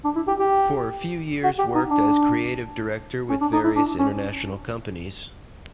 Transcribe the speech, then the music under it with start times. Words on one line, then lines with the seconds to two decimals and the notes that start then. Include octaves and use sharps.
For a few years worked as creative director with various international companies.
0.04 D4
0.16 E4
0.28 G4
0.39 G4
1.44 F#4
1.59 G4
1.75 D#4
1.90 D4
3.30 C#4
3.41 D4
3.53 D#4
3.64 E4
3.76 D4
3.99 C#4